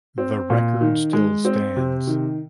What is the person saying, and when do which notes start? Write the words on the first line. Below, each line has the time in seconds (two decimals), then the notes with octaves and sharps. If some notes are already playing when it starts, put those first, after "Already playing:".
The record still stands.
0.18 C4
0.50 A#2
0.81 D#3
1.13 G#3
1.45 C4
1.76 C3
2.07 D#3